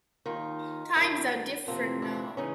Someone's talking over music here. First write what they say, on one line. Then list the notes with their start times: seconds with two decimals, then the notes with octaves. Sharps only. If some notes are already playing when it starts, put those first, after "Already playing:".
Times are different now.
0.26 D#2 D#3 D#4 F4
0.96 F#2 D#3 D4 E4
1.67 F2 C3 E3 A#3 C4
2.02 D4 E4
2.37 C#3 E3 C#4 D#4